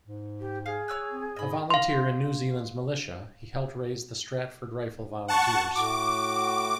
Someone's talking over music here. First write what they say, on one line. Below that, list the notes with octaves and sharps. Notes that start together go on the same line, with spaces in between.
A volunteer in New Zealand's militia, he helped raised the Stratford Rifle Volunteers.
G#2
G4
G#4 F5
C#5 E6 F#6
C4
G#2 D#5 B5
F5 C6
F#5 A5 C#6
A2 F#4 D6